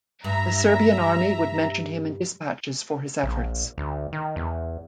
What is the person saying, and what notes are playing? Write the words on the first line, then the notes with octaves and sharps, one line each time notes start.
The Serbian Army would mention him in dispatches for his efforts.
G2 E5 A#5
A#1
D2
D#3
E2